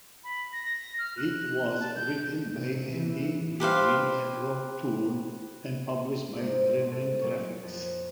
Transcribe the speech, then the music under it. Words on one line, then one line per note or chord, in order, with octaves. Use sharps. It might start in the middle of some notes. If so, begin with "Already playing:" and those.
It was written by Andy Green and Rob Toone and published by Gremlin Graphics.
B5
A#6
F6
F#6
A5
G6
C3
E3
G4 B4 C5 F5
G#2 C3 D4
C4
F#4 A4
A#2 F#3 A#4 C#6
F2